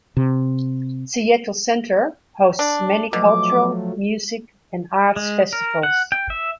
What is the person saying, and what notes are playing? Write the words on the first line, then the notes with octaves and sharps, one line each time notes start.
Seattle Center hosts many cultural, music and arts festivals.
C3
D4
B2 F3 F#3 A3 D6
G#3
A#4
F#5
G5
E5